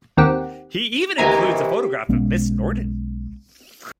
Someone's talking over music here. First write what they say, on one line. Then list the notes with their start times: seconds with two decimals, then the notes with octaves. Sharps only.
He even includes a photograph of Miss Norton.
0.17 D#2 D#3 C4 G4 F#5
1.18 D2 C3 D#3 E3 A#3 G4 G#5 A#5
2.09 B1 G#3 B3 C#4